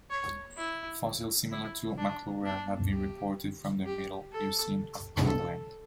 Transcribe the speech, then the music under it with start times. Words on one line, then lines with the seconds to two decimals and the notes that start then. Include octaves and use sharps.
Fossils similar to "Maclura" have been reported from the Middle Eocene of England.
0.10 C#5
0.57 E4
1.51 E4
1.98 D4
2.45 D4
2.92 G4
3.86 G4
4.32 A4
5.27 A4